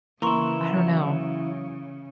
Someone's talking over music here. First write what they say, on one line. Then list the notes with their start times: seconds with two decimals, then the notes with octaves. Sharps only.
I don't know.
0.22 C#3 E3 A#3 E4 A#5 C6 C#6
0.76 F#3 C#5